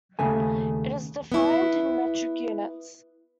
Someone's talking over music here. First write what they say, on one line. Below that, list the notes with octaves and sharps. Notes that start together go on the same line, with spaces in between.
It is defined in metric units.
D#2 C#3 A3 G#5
B3 E4